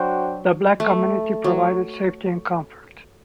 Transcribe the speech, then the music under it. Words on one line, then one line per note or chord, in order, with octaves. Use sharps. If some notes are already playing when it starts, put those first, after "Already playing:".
The Black community provided safety and comfort.
Already playing: F#3 D4 F#4 C5 G5
A3
F#3